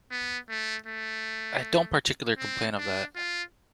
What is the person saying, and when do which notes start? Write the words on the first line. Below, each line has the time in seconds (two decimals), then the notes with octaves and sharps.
I don't particular complain of that.
0.11 B3
0.49 A3
0.86 A3
2.39 C4
2.77 D4
3.16 F4